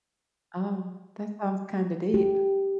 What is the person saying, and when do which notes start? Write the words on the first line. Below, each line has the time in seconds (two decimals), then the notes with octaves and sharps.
Oh, that sounds kinda deep.
2.14 G4